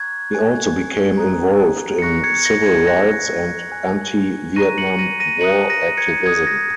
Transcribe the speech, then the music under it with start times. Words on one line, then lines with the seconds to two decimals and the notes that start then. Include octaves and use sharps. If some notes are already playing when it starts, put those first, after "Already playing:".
He also became involved in civil-rights and anti-Vietnam War activism.
Already playing: A#5 C#6 F#6 G#6
0.33 G#5 F#6
1.18 A#5 D#6 F#6
1.99 C#7
2.02 A#5 C#6 F#6 A#6
2.24 G#6 C#7
2.45 A#6
2.66 G#6
2.87 G#5 F#6 A#6
3.72 G#5 F#6
4.56 A#5 C#6 F#6 A#6 D#7
4.78 C#7 F#7
4.99 A#6 D#7
5.20 A#6 D#7
5.41 A#5 D#6 F#6 C#7 F#7
5.70 A#6 D#7
5.97 G#6 C#7
6.26 A#5 D#6 F#6 G#6
6.47 A#6